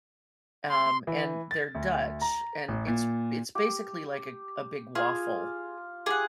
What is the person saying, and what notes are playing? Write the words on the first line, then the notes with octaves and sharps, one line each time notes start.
Um, and they're Dutch, and it's it's basically, like, a a big waffle
C6
E3
A6
D2
A#5
A1
A#2
G4
F4 G#4
G4 G#4 F#5